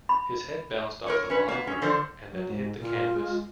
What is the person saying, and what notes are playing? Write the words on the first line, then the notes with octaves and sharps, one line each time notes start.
His head bounced off the bottom rope, and then hit the canvas.
B5
A#4 B4 C#5
C#4 B4
A#3 B3
C#4
D3 F3 A#4 C5
F#3
G#2
A#2 F4
G#3